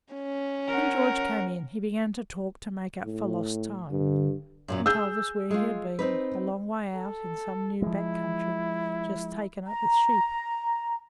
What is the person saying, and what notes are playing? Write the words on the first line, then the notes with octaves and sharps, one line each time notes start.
When George came in he began to talk to make up for lost time, and told us where he had been--a long way out in some new back country, just taken up with sheep.
C#4
A#4 F#5
A2
G2 D3
F#2 A#2 F#3
G#4 E6 G6
G#3 F4
C4 D#4 B4
A4
F3 G#3 E4
A#5